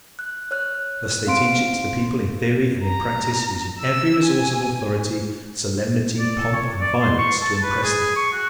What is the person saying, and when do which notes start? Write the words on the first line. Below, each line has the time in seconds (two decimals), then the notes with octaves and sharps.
Thus they teach it to the people in theory and in practice, using every resource of authority, solemnity, pomp, and violence to impress them.
0.19 F#6
0.51 C#5 F6 F#6
1.26 C4 F5 C6 D7
2.84 A#5
3.79 E6
4.25 G#5
6.19 D5
6.37 A4
6.53 C#5
6.81 D5
7.02 C6
7.18 C#6
7.41 A5
7.62 B4
7.83 G#4
8.16 C#6
8.33 F#4